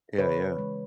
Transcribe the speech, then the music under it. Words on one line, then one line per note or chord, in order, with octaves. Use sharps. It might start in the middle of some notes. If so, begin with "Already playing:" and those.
Yeah, yeah.
C#3 B4 C#5
E3 G#3